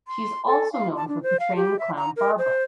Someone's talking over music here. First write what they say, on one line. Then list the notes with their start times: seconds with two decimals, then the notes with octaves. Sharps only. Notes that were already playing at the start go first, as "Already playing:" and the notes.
She is also known for portraying the clown Barbara.
0.07 C6
0.46 A4
0.73 F5
0.96 A5
1.08 D4
1.23 C5
1.40 F5
1.56 G4
1.79 E5
1.97 A#5
2.17 A#4
2.38 C5